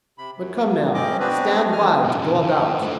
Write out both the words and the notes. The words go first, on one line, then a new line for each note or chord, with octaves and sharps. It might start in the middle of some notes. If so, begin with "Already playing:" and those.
But come now, stand by to go about.
C3 B5
F#2
C#3 C4 C#4 D#5 D6
B3 C4 D4 F#4 B4
G2 G#5 F6
G2 F3
B2 D3
F2
A3 D4